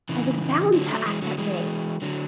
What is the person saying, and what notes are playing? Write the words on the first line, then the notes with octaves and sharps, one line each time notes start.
I was bound to act that way....
C#3 E3
D3 F#3
F#3 A3
E3 G#3
D3 F#3
E3 G#3
D3 F#3